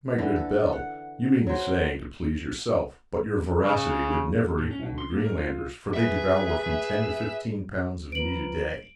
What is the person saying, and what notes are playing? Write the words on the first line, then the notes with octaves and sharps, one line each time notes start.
"My good Bell, you mean to say to please yourself, but your voracity would never equal the Green-landers', for they devour from ten to fifteen pounds of meat a day."
D3 E3
A4
F#5
F#3 C5
C#3
A2
C#4
B2
C6
A#3
A#4
F4
G#4 B4 E5
F3 A#4 B4 D7 F#7